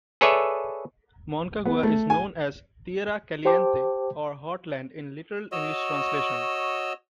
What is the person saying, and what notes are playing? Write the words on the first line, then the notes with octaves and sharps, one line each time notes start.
Moncagua is known as "tierra caliente" or "hot land" in literal English translation.
G#4 A4 B4 C#5 D5 E5
B3
A3
G#5
G4 C5 G5 A5 D6
F#4 C#5 D#5 E6